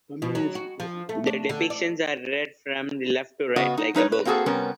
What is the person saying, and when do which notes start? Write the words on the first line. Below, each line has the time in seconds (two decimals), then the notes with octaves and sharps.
The depictions are read from left to right, like a book.
0.22 B2
0.35 F#3
0.55 F#4
0.80 F3
1.09 A3
1.27 D4
1.49 D3
1.70 D5
3.56 C#3 B3 F#4 D#5
3.78 D#4
3.95 G3 D#4 B4 C#5
4.12 B4
4.25 A#3 C4 F#4 G#4 A4
4.46 C3 G3 B3 C#4 A#4